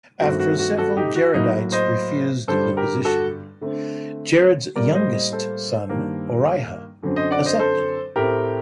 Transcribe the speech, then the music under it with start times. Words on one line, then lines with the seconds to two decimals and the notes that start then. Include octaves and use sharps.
After several Jaredites refused the position, Jared's youngest son Orihah accepted.
0.20 G2 D#3 A3 C4 F#4
0.39 F#4
0.59 F#4
0.77 F#4 A4
0.97 D#4 G4
1.15 F#4
1.34 A2 F#3 A#3 D#4
1.72 C5 D#5
2.48 G2 D3 G3 A4 C5
2.77 G4 A#4
3.05 F#4 A4
3.61 D3 A3 C4
4.76 A2 G3 A#3 A#4 D5
4.94 C5 D#5
5.13 C5 D#5
5.32 A4 C5
5.89 G2 D#3 G3 A#3
7.03 F#2 D3 F#3 C4
7.16 C5 D#5
7.31 D5 F#5
7.46 C5 D#5
7.59 A4 C5
8.16 A2 A3 C4 G4 A#4